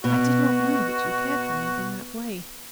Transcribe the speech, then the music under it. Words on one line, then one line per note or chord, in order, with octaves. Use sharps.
I did not know that you cared for me in that way.
B2 F#4